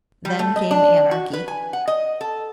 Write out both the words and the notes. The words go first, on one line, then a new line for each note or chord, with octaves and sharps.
Then came anarchy.
G3
A3
D#5
D4
F#4
B4
G#5
F#5
D#5
A4